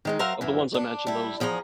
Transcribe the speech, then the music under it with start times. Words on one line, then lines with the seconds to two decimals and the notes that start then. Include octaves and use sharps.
of the ones I mentioned, those
0.05 D#3 G#3 D#4
0.19 F#3 A#4 C5 E5 F5 A#5
0.41 F#2 E3
0.74 D4
1.07 G3 E4
1.40 E2 F3 G#4 F#5 A#5